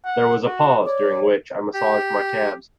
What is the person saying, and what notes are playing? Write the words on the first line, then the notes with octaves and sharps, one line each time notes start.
There was a pause, during which I massaged my calves.
F#5
F#4
C#5 D5
G4